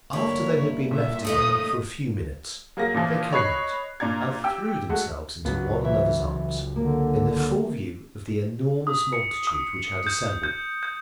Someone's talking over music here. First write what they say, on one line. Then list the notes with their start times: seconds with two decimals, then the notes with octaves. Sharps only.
After they had been left together for a few minutes they came out, and threw themselves into one another's arms, in the full view of the enormous multitude which had assembled.
0.13 G2 D3 A#3 E4 C#5
0.91 A#2 E5
1.25 C#3 A3 D#4 D#6
2.77 F#3 A#3 G#4 A#6
2.94 A#2 E3 F3
3.33 C#5 D#5 B5 F#6 G#6 C7
4.00 A#2 D4 A#5 G#6
4.44 G4 G5 E6
4.89 G#3 A3 F#4
5.45 C#2 F#3 B3
5.84 E3 E5
6.76 D3 A#3
8.87 D#6
9.13 C#7
9.47 D#6
10.07 G6
10.43 G6
10.83 G6